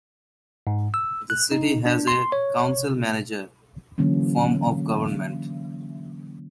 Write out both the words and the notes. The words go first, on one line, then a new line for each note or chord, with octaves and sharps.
The city has a Council-manager form of government.
G#2
E6
F#6
D#4
D4
C6
C#5
D3 E3 F#3 A#3 C#4